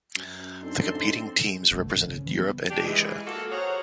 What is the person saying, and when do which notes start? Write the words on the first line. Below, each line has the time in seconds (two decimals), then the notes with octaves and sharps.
The competing teams represented Europe and Asia.
0.16 F#2
0.62 A2 C4 D4 D#4 A4 C6
1.71 G1 C2 A3
1.96 G#2 E3 C#4
2.08 C#3
2.26 E3 G3 B3
2.71 D4 G4
2.83 E3 G#3
3.26 A#3 F4 F#4 A4
3.51 F#4 G#4 A#4 C5 C#5 F#5